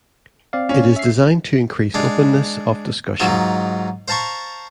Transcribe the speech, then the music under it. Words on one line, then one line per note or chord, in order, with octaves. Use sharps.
It is designed to increase openness of discussion.
C4 D5 F5
C#4
E5 C7
G#3 D4 F5
G#2 F#3 D#4 F4
C5 F5 A5 A#5 C#6